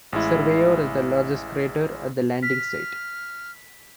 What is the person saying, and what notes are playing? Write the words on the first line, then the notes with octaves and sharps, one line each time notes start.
Surveyor is the largest crater at the landing site.
A1 G#3 E4
F6 B6